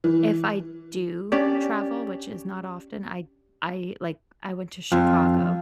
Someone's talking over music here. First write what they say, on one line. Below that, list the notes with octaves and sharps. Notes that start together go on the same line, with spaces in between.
If I do travel, which is not often, I I, like, I went to Chicago,
E3
C#4 D4 G4 D5
F2 F4